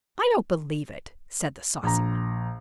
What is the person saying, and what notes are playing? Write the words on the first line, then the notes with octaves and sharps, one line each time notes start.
"I don't believe it," said the saucy one.
A#1 A#5